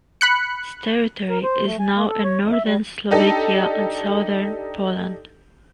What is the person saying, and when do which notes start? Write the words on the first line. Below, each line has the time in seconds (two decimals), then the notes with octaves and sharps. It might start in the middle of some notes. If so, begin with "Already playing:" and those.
Its territory is now in northern Slovakia and southern Poland.
0.21 B5 F#6 C#7
1.30 A#4
1.43 C5
1.66 A3
1.79 G#5
1.96 A#3
2.09 A4
2.24 C#5
2.40 F2
2.52 E5
2.64 G3
3.11 D4 D#4 G4 A4